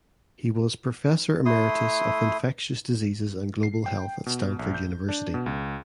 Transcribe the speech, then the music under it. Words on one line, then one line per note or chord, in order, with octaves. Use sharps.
He was professor emeritus of infectious diseases and global health at Stanford University.
A3 E4 C6 D#6
C7
G5
B2
A#1
G6
D4
B2
C#2